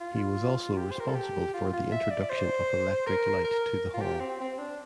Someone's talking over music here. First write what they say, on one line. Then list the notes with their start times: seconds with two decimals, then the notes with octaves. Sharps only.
He was also responsible for the introduction of electric light to the hall.
0.01 F4
0.78 G4
0.91 C5
1.00 A#4
1.08 A4
1.15 G4
1.54 F4
1.73 F4
1.92 E5
2.11 D5
2.30 C5
3.07 A#4
3.45 A#4
3.94 F4
4.02 G4
4.20 C4
4.40 C4
4.59 D4